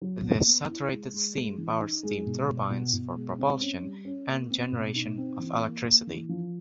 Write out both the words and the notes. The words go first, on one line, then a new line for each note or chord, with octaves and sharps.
This saturated steam powered steam turbines for propulsion and generation of electricity.
F#3
B3
B3
E4
G#3
G#3
G#3
E3
D#4
G#3
B2
B2
B2
B2
G#3
C4
C#4
G3
C#4
A#3
C4
B2
D#4
C4
E3
A#3
A#3
E3
F3